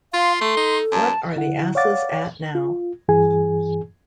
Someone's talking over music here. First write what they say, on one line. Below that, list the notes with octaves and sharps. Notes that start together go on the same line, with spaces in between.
What are the asses at now?
F4 F5 C6
A3 A4
D#4
F#2 A5
D3 E4 F#5
C#5 D5 F5 F#5 D6 A6
F4
G2 E3 G#4 G#5